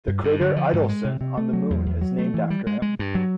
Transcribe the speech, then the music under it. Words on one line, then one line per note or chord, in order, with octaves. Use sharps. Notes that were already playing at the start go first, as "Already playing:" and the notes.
The crater Idelson on the Moon is named after him.
G2
G2
D3
F3
G#2
G#3
C3
C3
A3
F#3
E2
E2
F#3
A3
E3
G3
G#3
G#3
G2
F#3